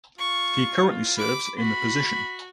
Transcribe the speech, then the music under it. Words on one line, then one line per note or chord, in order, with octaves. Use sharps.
He currently serves in the position.
F4 C#6
B5 D6
F#4 B5